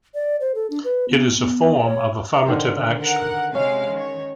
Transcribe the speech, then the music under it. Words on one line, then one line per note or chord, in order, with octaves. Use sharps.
It is a form of Affirmative action.
D5
C5
A4
D4
B4
B3
B3
C#5
D3 D#3 C5
A#4 F#5
C3 G#3 C#4 F5
D#3 C#5